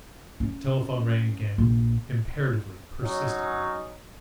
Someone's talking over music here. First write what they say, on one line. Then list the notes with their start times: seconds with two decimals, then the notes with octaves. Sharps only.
The telephone rang again--imperatively, persistently.
0.40 C#4
1.58 A#1
3.03 F#3 C#4 D#4